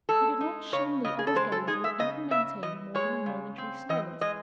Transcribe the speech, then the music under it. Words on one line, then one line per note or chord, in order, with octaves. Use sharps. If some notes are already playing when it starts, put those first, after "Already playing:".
He did not shun the other's gaze or even maintain more than a momentary silence.
G#3 A4
D#4
C#3 C#5
C#3 D#5
G#4
A4
G#3 C5
A4
D#4 G#4
E5
C#3 D#5
C#3 E5
E3 D#5
G#3 C#5
C#3
C4
E3 D#5
G#3 D#5